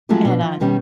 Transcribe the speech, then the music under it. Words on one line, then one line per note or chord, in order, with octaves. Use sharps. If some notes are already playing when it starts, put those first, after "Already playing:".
And, uh,
F3 F#3 G#3 A3 C4 G4
B2 D4
F3
B2 D#3 G3 C#4 G4